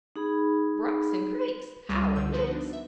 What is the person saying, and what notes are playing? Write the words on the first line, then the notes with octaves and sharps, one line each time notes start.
"Brooks and creeks, How it leaks!"
D#4 G#4 B5
C#2 G3 C#5 D6 D#6 D#7
C#2 D3 E6 G6
F3 B3 F#4
D4 D#4
E5